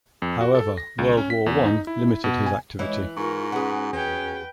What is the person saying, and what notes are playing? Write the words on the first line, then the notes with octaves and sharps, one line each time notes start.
However, World War One limited his activity.
F2
F#4
A4
A#6
C#2
C#4
B6
E2
D#4
E4
B2
G#5
E3 G#3 E4 C#5 D#5
G#2 E4 F4 A#4 C#6
C#4 F#4 G#4 B4
E2 C#4 B4 G5